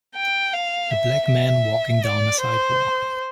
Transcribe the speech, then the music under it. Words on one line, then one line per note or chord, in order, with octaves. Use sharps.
A black man walking down a sidewalk.
G5
F5
E5
E5
D5
C5